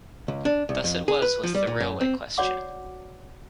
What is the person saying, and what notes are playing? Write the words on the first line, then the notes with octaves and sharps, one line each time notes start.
Thus it was with the railway question.
C#2
D4
C2
F2
G#4
B4
F3
G3
A#2
F#2
C4
F#4 C#5 D5 F#5 D6